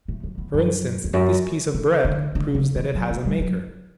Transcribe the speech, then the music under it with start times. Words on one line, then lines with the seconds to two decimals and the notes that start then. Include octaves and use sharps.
For instance, this piece of bread proves that it has a maker.
0.08 A2
0.23 F#2
0.38 E2
0.54 F#2
1.04 E2
1.13 F#2
1.74 D3
2.05 D3
2.35 D3
2.54 C#3
2.75 E3
2.95 F#3
3.11 A3
3.25 G3
3.40 F#3